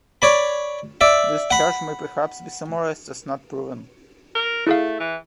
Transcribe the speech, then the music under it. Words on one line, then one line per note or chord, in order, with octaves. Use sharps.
This charge may perhaps be summarised as not proven.
C#5 D5 B5
D5 E5
F#5 B5
A#4
A3 E4 G#4 F5
E3